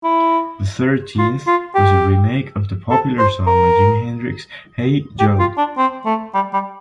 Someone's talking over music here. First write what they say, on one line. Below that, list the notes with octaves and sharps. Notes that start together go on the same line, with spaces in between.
The thirteenth was a remake of the popular song by Jimi Hendrix, "Hey Joe".
E4
F4
F4
G4
A4
C5
A#4
G4
F4
D4
C4
A3
G3
G3